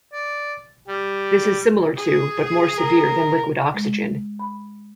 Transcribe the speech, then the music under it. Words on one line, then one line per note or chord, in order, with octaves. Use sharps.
This is similar to, but more severe than liquid oxygen.
D5
G3
G#4
A#4
G#3
B5